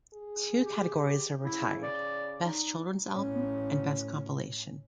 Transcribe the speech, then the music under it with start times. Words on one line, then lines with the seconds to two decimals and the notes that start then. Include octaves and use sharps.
Two categories were retired 'Best Children's Album', and 'Best Compilation'.
0.14 G#4
0.62 G4
1.44 C#3 E4
1.83 D5
2.44 D#4
3.12 A2 C#4